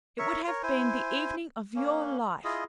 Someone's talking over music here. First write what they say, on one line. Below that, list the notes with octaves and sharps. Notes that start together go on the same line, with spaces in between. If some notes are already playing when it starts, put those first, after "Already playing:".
It would have been the evening of your life.
A#4 C#5 E5 C#6
A#4 C#5
E4 C5 G#5
A#3 C#4
E4 F4 G#4 D#5